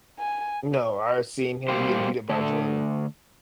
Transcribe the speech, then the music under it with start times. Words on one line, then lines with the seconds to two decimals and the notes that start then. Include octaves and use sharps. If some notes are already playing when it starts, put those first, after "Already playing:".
No, I've seen him get beat up by Jordan.
0.19 G#5
1.68 G3 A#3 G4 C5
2.29 D3 A3